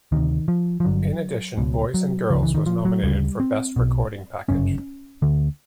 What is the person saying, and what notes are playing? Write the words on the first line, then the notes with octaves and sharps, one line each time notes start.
In addition, "Boys and Girls" was nominated for Best Recording Package.
D2 C3 D#3
F3
F3
G1 G2 D3 F#3
C#2 B2
F#3
C#2 C#3 F3
E3
D#3
F3
F#3
D2 C#3 G3
C4
B1 B2
G1 F#2 C#3 C#4
D2 D3